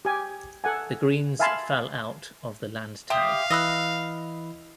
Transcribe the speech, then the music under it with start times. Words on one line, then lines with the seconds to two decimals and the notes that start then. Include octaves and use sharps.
The Greens fell out of the Landtag.
0.05 G4 G#5
0.64 A4 F#5 G#5
1.40 E5 F5 G#5 A5 B5 C6
3.10 G4 C5 E5 F5 G5 C6 D#6
3.50 E3 E4 D#5 B5 E6 F#6